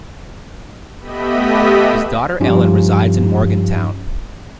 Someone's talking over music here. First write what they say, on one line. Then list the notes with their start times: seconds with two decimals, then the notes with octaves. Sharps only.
His daughter Ellen resides in Morgantown.
1.00 A3 B3 G4 D#5 E5 B5
2.40 G2 F3 C#4 D#4 F4 G4